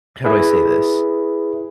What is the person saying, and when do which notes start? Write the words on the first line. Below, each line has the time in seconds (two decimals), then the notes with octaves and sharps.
how do I say this?
0.24 E4 G#4 B4